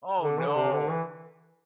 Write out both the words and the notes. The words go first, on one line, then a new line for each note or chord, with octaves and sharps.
Oh no!
D3
E3
D3
C3
D3
E3